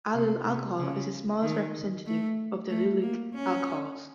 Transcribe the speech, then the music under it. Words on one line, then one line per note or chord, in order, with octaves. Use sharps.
Allyl alcohol is the smallest representative of the allylic alcohols.
C3
C3
C#3
D#3
A3
A3
A#3
C#4